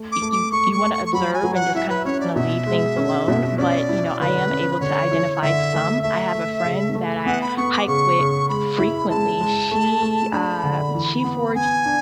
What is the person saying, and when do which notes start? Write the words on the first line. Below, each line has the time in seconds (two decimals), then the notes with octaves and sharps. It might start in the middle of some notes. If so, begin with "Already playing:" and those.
y you wanna observe and just kinda leave things alone, but, you know, I am able to identify some. I have a friend that I hike with frequently, she, uh she forages
Already playing: A3
0.12 D6
0.22 A3
0.32 D6
0.52 A3 C#6
0.72 C#6
0.83 A3
0.93 C#6
1.06 C#6
1.13 F#3 B5
1.34 G#5
1.43 F#3
1.54 F#5
1.75 E4 E5
1.89 B4
2.05 C#4 C#5
2.20 D5
2.35 B2 E5
2.66 G#3
2.96 C#4
3.28 B2
3.58 C#4 D5
3.89 E4
4.20 D3 B4
4.51 C#4
4.80 D3 C#5
5.11 E4
5.42 D3 E5
5.73 A3
6.03 A3 E5
6.34 A3
6.64 C#3
6.95 A3
7.26 B3 F#5
7.41 B5
7.57 B3 C#6
7.72 D6
7.87 C#3 C#6
8.18 C#3
8.49 G#3 B5
8.79 E4
9.09 G#3 A5
9.41 G#3
9.71 A3
10.02 A3
10.32 D4 B5
10.64 D3
10.94 E3
11.24 B3
11.55 B3 G#5
11.86 D4